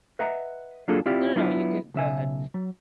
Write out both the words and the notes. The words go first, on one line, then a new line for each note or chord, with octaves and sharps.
No, no, you can go ahead.
B4 D#5 E5 F#5 A#5
F#3 A#3 D4 F4 G#4 A4
C4 E4 F4 G4 D5
F#3 B3 D4 E4 F4
B1 C#3 E5 G#5
F#3